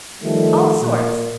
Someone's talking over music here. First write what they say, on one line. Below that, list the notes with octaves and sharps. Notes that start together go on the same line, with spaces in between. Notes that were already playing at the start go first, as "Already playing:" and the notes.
All sorts.
D#3 F3 G3 A3
A#2